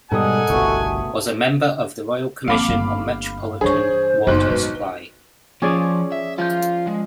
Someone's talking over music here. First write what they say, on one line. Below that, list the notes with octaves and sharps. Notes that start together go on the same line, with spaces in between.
Was a member of the Royal Commission on Metropolitan Water Supply.
G#2 B2 G3 A4 A#4 D#5 F#5 G#5
G1 C2 B2 A3 C#6
G#1 F3 A#3 C4 F5 B5 D6
G1
G2 E3 D4 G#4 C5 C#5 C#6
F#1 B1 B3 D#4 F#6
G#2 B4
F3 C#4 G#4 D5
E5
F3 F4 G6
G#3